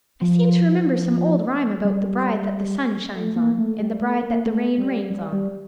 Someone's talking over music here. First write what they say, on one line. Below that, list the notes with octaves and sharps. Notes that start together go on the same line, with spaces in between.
"I seem to remember some old rhyme about the bride that the sun shines on, and the bride that the rain rains on."
F3
G3
A3
A#3
A3
G3
A3
A#3
A3
G3
G3
G3